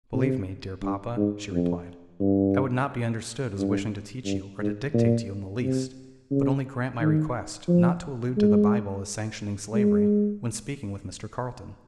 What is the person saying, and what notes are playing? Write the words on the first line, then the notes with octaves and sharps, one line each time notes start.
"Believe me, dear papa," she replied, "I would not be understood as wishing to teach you, or to dictate to you in the least; but only grant my request, not to allude to the Bible as sanctioning slavery, when speaking with Mr. Carlton."
C3
G2
G#2
F2
G2
G2
G2
G#2
A#2
C3
C#3
D#3
F3
G#3
G#3